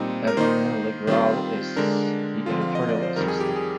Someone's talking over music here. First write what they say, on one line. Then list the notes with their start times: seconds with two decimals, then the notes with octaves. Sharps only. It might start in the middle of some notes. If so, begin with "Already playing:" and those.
Evelyne Le Grall is the editorial assistant.
Already playing: A#2 G3 C4 D#4
0.27 A#4
0.37 D#3 A#3 D#4 C5
1.07 D#3 G3 C4 F4
1.76 D3 G#3 D4 A#4
2.46 D3 F3 C4 F4
2.61 F5
2.75 D#5
2.89 D5
3.03 C5
3.16 F2 D#3 G3 A#4
3.28 G#4
3.40 G4
3.56 G#4